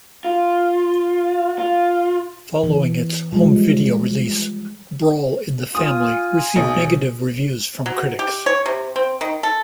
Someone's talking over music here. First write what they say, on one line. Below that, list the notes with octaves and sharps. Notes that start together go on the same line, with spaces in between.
Following its home video release, "Brawl in the Family" received negative reviews from critics.
F4
F4
E3
F3 G3 G#3
F4 G#5 D#6
B1 G#4
F#3
G4
C#5
C3
C4
D#3
A4